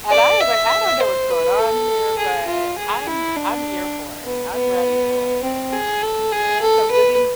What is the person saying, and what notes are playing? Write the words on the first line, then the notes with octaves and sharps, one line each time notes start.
And I was like, "I don't know what's going on here, but I'm f I'm here for it, I'm ready for it," you know? So, living
D5
E5
C5
B4
A4
G#4
F4
G#4
E4
D4
B3
B3
C4
G#4
A4
G#4
A4
B4